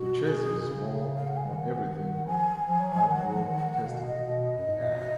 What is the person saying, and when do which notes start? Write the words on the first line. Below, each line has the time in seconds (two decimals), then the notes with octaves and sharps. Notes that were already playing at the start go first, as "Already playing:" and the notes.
The Chasers War On Everything "Ad Road Tested" The Ad.
Already playing: B2 F#4
0.28 G#4
0.67 C#3
1.17 F5
1.27 F#5
1.37 G#5
1.47 D#3 F#5
2.27 F3 G#5
2.67 F3
2.80 F#3
2.93 F3
3.07 D#3 G#5
3.11 F#5
3.21 F#3
3.33 F3
3.47 D#3
3.86 B2 F5
4.00 B2
4.06 D#5
4.13 B2
4.26 B2 D#5
4.58 F#2
4.66 G#2
4.80 A#2
4.94 B2